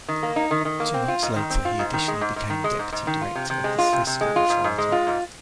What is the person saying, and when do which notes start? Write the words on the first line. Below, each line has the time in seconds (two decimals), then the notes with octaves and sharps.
Two months later he additionally became deputy director of the fiscal authority.
0.08 D#3
0.23 A#3
0.36 D#4
0.51 D#3
0.65 D#3
0.80 A#3
0.94 C4
1.08 F4
1.23 G#2
1.36 D#3
1.50 C4
1.65 F4
1.79 G#2
1.93 D#3
2.08 G#3
2.21 G#2
2.36 G#2
2.50 D#3
2.64 G#3
2.79 G#2
2.92 G#2
3.07 D#3
3.21 F4
3.35 C3
3.50 C3
3.64 G#3
3.78 F4
3.93 C3
4.07 C3
4.21 G#3
4.36 F4
4.50 G#2
4.64 G#2
4.78 G#3
4.92 F4
5.07 G#2